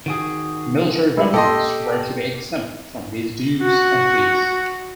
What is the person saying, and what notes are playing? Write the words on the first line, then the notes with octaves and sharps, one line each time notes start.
Military veterans were to be exempt from these dues and fees.
D#3 F#4 G#4
G3 G#3 E4
A#2 G4 A4 D#5 C6
F#4